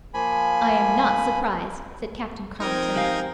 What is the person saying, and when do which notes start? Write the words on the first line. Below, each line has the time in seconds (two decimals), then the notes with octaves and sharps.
"I am not surprised," said Captain Carleton.
0.14 F3 A#3 G#5 B5
2.60 F3 C4 D#4 A#4 D#5 G#6
2.94 G#3 G4 F5